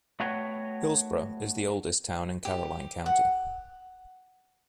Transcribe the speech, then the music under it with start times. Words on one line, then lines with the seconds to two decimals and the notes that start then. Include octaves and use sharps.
Hillsboro is the oldest town in Caroline County.
0.20 A3 B3 F#4 B4 C#5 G5
2.45 G4
3.06 F#5